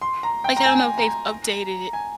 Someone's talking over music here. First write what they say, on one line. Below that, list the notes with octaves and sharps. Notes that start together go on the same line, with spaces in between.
Like, I don't know if they've updated it
C6
A#5
G5
A#5
G#5
A#5
G#5